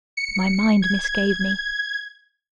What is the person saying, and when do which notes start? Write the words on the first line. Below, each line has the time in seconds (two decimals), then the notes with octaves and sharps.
'My mind misgave me.
0.17 C#7
0.82 G#6